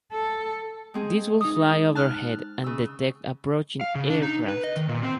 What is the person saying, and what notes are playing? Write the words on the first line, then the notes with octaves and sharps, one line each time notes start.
These would fly overhead and detect approaching aircraft.
A4
G#3 C4 G#4
D#4 D#6
A5 F6 F#6
C#3 E6
F5
C#3
D4
D#4
B4
D#5
D#3
A#2
C4